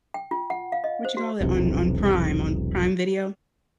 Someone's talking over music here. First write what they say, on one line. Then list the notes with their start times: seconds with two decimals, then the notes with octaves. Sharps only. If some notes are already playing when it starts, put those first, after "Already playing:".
what you call it? On on Prime on Prime Video.
0.14 G5
0.31 F4
0.50 F#5
0.72 F5
0.84 D#5
1.05 C5
1.17 F#4
1.41 E1 B1 C3